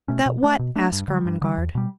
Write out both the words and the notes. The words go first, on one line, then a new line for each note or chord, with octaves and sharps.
"That what?" asked Ermengarde.
B2 A3 C#4
B2
A3 D4
B2
A3 D4
G2
D3 G3
G2
D3 G3
E2
B2 G3